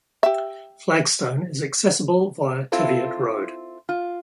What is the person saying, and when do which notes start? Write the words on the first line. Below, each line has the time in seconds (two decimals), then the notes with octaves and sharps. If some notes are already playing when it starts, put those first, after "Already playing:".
Flagstone is accessible via Teviot Road.
0.23 G4 E5
2.72 C4 E4 F4 A4 C5
3.89 F4